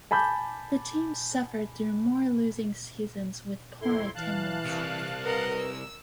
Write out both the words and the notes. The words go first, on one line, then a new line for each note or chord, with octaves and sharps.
The team suffered through more losing seasons with poor attendance.
G#5 A5 B5 D6 G6
F2 E4 A4 C6
E3 F5 A5 F#6
C2
A#4 B4 D#5 F#5
E6